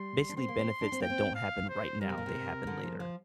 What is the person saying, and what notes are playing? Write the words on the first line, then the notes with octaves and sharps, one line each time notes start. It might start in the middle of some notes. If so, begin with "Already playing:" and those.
basically benefits that don't happen right now, they happen later.
Already playing: G3 C6
D4
C4 C6
A#3
C4
D4
C4
A#3 G5
C4
F5
C5
G3 A#4
C3
A#2
C3
D3
F3
F3